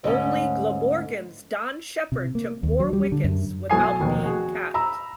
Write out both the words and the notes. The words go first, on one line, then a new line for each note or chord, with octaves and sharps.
Only Glamorgan's Don Shepherd took more wickets without being capped.
D2 G#2 C#4
C3
A#3
D#2
F#3
G3
D3
F#2
B1 F#4 A4 G#5 D#6 C7
F1 D#2 B2
F#4 G#4
A#5 B5 E6